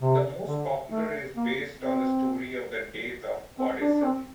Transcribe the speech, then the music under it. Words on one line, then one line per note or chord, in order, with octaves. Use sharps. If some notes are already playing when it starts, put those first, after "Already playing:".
The most popular is based on the story of the death of goddess Sati.
C3
D3
A3
A#3
C4
C4
D4
D4
C4